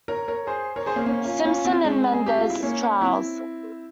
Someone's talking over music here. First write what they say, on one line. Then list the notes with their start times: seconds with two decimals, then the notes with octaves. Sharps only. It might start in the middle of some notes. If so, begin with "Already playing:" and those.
Simpson and Menendez trials.
0.08 A#4 C#5
0.28 A#4 C#5
0.47 G#4 C5
0.76 A#4 C#5
0.86 G#4 C5
0.96 A#3 C#4
1.06 A#3 C#4
1.25 C#4 F4
1.45 C#4 F4
1.65 C4 E4
1.84 G#3 C4
2.14 G#4
2.26 G4
2.38 F4
2.50 E4
2.63 A#3 C#4
3.01 C4 E4